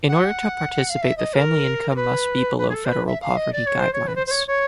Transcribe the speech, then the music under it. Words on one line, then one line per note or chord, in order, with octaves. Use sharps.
In order to participate the family income must be below federal poverty guidelines.
F#5
F5
E5
D#5
A#4
A#4
B4
B4
G#4
A4
C5
B4
E5
F5
D#5
D5
C#5
C5
C#5
B4
C5
C5
C#5
C#5